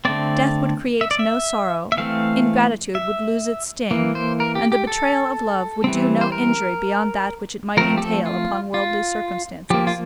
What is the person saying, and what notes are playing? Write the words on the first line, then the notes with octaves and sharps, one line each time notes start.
Death would create no sorrow; ingratitude would lose its sting; and the betrayal of love would do no injury beyond that which it might entail upon worldly circumstances.
D3 A3 C4 D5
E5
D5
E5
E5
E3 A3 C4 F5
E5
E3 A#3
C5
A#4
G4
G4
A4
E3 G3 C4
C5
A#4
F3 A3 C4 A#4
G4
A4
F4
F4
F3 A#3 G4
F4